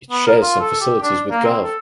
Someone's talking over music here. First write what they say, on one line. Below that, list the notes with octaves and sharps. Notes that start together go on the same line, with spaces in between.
It shares some facilities with Gov.
B3
A#4
F4
A4
G4
D4
A#3
C4
A4